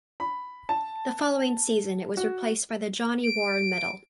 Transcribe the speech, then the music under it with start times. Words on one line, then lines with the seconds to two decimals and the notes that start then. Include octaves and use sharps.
The following season it was replaced by the Johnny Warren Medal.
0.20 B5
0.69 A5
2.17 F#4
3.23 D7